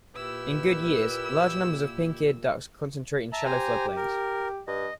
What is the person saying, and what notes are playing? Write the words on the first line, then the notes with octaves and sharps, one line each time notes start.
In good years, large numbers of pink-eared ducks concentrate in shallow flood plains.
A#2 E4 G4 B4 E6
E5 A5 A#5
G4 C5 G#5 A#5
A#4
G2 D#5